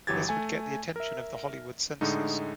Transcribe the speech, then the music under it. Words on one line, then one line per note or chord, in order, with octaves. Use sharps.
This would get the attention of the Hollywood censors.
G1 E3 F#3 G4 G#6 A6
A3 G#5
A#4 E5
A2 D3 G#3 D#4